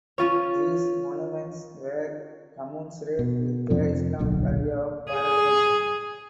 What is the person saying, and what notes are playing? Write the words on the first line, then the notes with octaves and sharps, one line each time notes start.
These monuments were commensurate with the Islamic idea of paradise.
C#4 F4 C#5
B2
F2 C3 F3
D1 B1 A#2 D3
G#4